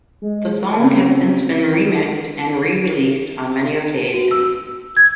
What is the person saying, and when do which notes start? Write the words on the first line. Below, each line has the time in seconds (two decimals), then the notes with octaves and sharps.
The song has since been remixed and re-released on many occasions.
0.22 G#3
0.78 C#3 C4 C#4
4.14 F#4
4.31 E6
4.97 G#6